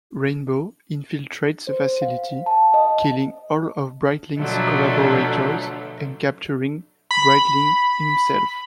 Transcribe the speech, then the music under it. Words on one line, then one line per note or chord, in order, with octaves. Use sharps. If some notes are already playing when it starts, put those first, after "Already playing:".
Rainbow infiltrates the facility, killing all of Brightling's collaborators and capturing Brightling himself.
C5
F5
A5
D#5
B2 D3 F3 F#3 A3
B5